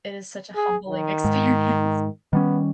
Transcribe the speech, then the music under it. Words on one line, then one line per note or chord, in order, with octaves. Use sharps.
It is such a humbling experience.
G#4
D#3
G#2
D#3 G3 B3 C#4